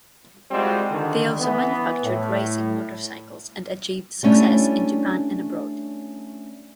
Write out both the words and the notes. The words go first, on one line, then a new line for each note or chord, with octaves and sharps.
They also manufactured racing motorcycles and achieved success in Japan and abroad.
G3 G#3 C4 F4 F#4
D3 D#3
E3 B3
A2
G3 A3 C#4 D4 E4